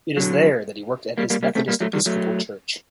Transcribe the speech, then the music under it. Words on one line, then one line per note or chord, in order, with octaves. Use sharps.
It is there that he worked at his Methodist Episcopal Church.
D3 F#3
G3 A#3
G3 A#3
G3 A#3
A3 C4
G3 A#3
F#3 A3
D#3 G3
F#3 A3